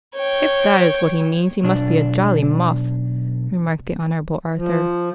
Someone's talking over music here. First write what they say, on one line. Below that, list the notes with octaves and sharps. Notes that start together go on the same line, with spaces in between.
"If that is what he means, he must be a jolly muff," remarked the Honourable Arthur.
C#5 G5
B1 D4
F3